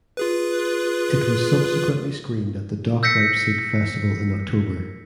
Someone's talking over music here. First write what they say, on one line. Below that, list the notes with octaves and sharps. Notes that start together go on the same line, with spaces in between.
It was subsequently screened at the Dok Leipzig festival in October.
F4 G#4 B4
E6 G6 A#6 B6 C#7